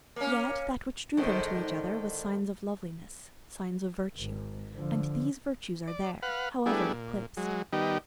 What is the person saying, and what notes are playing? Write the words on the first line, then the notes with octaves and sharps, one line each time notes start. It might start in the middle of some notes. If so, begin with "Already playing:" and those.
Yet that which drew them to each other was signs of loveliness, signs of virtue; and these virtues are there, however eclipsed.
A#3 C#4
G#2 D3 D#3
G#1
D3 F3
D5
B4 F5 F#5
G3 A3 B3 D4 E4 G#4
A#2
F#3 G#3
D#3 G3 B3 D#4 G4